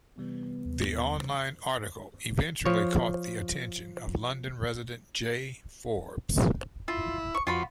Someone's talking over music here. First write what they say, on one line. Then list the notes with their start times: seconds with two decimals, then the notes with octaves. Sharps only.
The online article eventually caught the attention of London resident Jay Forbes.
0.18 C3 E3 G3 B3
0.65 D#2
2.66 F3 C#5
6.88 E4 F4
7.35 C#6
7.47 F2 F4 F#4 B5